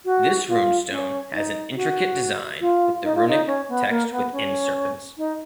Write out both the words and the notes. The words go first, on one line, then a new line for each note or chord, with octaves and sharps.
This runestone has an intricate design with the runic text within serpents.
F#4
F4
C#4
D#4
F#4
F4
D#4
F4
D#4
C#4
B3
A#3
B3
C#4
D#4